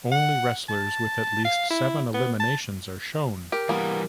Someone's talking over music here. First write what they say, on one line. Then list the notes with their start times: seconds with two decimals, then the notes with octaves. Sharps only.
Only wrestlers with at least seven eliminations are shown.
0.12 F#5
0.69 A5
1.45 F5
1.70 E4
2.14 B3
2.40 A5
3.52 G4 A#4
3.69 E3 G3 A#3 B3